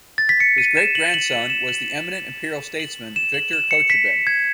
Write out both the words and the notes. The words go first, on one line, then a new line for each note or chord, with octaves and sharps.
His great-grandson was the eminent imperial statesman Viktor Kochubey.
A6
B6
C#7
D#7
E7
F#7
F#7
F#7
E7
F#7
F#7
E7
F#7
E7
C#7
B6
G#6